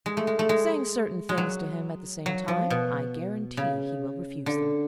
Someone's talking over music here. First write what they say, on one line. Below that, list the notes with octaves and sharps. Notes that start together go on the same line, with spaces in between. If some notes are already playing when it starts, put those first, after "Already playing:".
"Saying certain things to him at the same time, I guarantee he will refuse them."
G#3
A3
G#3
A3
G#3
G#3
F#3
F#3
F3
B2
C#3
D3